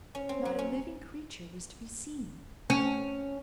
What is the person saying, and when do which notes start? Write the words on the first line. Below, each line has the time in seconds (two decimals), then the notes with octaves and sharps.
Not a living creature was to be seen.
0.15 C#4
0.29 C4
0.45 F#3
0.59 C#4
2.70 C#4